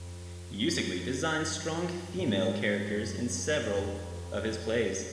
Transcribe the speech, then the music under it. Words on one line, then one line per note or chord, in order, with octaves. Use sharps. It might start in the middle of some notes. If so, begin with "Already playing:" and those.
Usigli designed strong female characters in several of his plays.
Already playing: F2
F#2
F2
F#2
G#2
F#2
F2